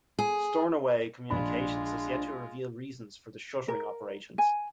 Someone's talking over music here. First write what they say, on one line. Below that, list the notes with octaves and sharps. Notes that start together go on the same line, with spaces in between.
Stornoway Communications has yet to reveal reasons for the shuttering operations.
G#4
A#1 G#3 D4 F4 B5
A#4
G#5